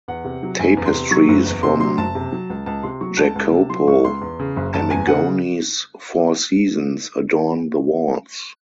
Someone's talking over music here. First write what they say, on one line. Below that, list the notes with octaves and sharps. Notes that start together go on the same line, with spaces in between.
Tapestries from Jacopo Amigoni's "Four Seasons" adorn the walls.
E2 F#5
C3
F#3
F#1 G#5
E2
C6
C3
F#3 C#6
F#1
E2
C3 C6
F#3 C6
F#1 A5
C3
F#3
C#2
C#2 A5
C3 C6
F#3 C#6
C#2 A5
C#2
C3
F#3 C6
C#2 C#6
C#2 C6
E2
C#3
F#1
F#1 A5
E2 G#5
C#3 F#5